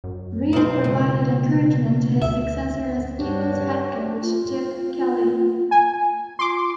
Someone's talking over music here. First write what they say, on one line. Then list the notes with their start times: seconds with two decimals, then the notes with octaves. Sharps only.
Reid provided encouragement to his successor as Eagles head coach, Chip Kelly.
0.04 F#2
0.53 B1 B2 C4
0.84 C#2
2.22 D2 E5
3.18 G2 D4 F#4 G4 C5 C#5
4.22 F4
5.71 G#5
6.39 F4 C6 D6